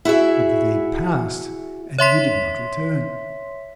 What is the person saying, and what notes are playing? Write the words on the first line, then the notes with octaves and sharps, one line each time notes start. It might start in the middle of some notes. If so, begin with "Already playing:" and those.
But the day passed and you did not return.
E4 F#4 G#4 E5
C#5 E5 C6 B6